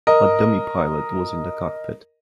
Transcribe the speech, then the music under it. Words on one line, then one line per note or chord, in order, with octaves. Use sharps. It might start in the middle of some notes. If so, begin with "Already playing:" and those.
A dummy pilot was in the cockpit.
A#4 D#5